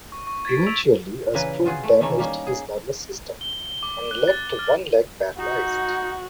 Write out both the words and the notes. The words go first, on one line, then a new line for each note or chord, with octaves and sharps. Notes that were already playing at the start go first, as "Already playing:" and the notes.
Eventually, a stroke damaged his nervous system and left one leg paralyzed.
C#6
C#6
G#6 A6 B6 D7
C#6 E6 B6 D7 F7
A#2 C#3 E3 A#4 B4 G#5
B3 F4 F#4 G#4
A3
D#3 E3 A3 A#3 C#4
G3 A#3 C#4 D#4
G#4
G7
D6
F#6
A6
F6
D#4 F#4